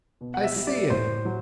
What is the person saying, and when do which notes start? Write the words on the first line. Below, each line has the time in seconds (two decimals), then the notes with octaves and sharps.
I see it!
0.21 B2
0.34 F#5
0.44 E5
0.56 G3
0.67 D5
0.90 A2 C5
1.25 F#3